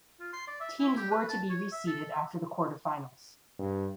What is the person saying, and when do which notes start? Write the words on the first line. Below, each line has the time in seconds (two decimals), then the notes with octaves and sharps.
Teams were to be reseeded after the quarterfinals.
0.19 F4
0.33 C6
0.47 D5
0.60 E5
0.79 E4
0.97 G4
1.11 B4
1.29 A5
1.50 C#5
1.72 E5
1.87 A4
2.11 E5
3.59 G2